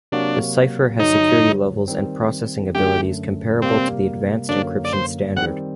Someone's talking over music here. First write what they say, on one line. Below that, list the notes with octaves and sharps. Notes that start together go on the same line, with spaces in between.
The cipher has security levels and processing abilities comparable to the Advanced Encryption Standard.
C3 F#3 A#3 D4 F#4
G2 D3 F#3 D#4
D#3 G3 C4
F#2 D3 A3 G4
C3 G3 A#3 C4
F#2 D3 F#3 A#3 D4
D5
C5
D#3 G3 C4 F#5